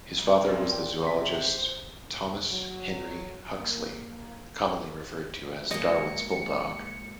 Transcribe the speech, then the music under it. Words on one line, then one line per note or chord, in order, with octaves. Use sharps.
His father was the zoologist Thomas Henry Huxley, commonly referred to as 'Darwin's bulldog'.
C2
F2 A#2 F3 C4
G5
C3 D#5 B6
C5
F#3
A#3
F#3 G#3 A#3 D#5 C#7